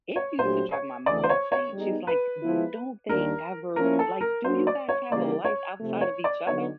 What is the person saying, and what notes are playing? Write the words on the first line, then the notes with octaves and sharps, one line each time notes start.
it used to drive my mom insane, she's like, "W don't they ever, like, do you guys have a life outside of each other?"
C#5
A#2 F#3 A3 D4 G4 C5
C#5
D2 C#3 E3 A3 D5
C5
C#5
C#5
G3 B3 D#4 G#4
B4
F3 G#3 B3 E4
D#2 D#3 G3 A#3 D4 A#4
F3 A#3 C#4 E4 A#4
A4
A#4
F#3 A#3 D4 F#4 C5
D5
C#5
C#3 E3 G3 A#3 D5
C#5
C3 F3 A3
C#5
D5
D3 F#3 B3 D#4 C#5